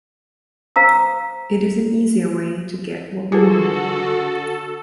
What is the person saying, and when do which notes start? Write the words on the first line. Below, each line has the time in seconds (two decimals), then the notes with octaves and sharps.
It is an easier way to get what we want.
0.76 C5 F5 A#5 E6
3.32 D3 F4 F#4 G#4 A4 B4